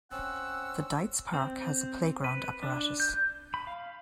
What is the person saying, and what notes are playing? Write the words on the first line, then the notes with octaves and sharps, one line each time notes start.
The Dietz Park has a playground apparatus.
C4 C#4 F#5 E6
C4
B4
D4
G6
B5
F5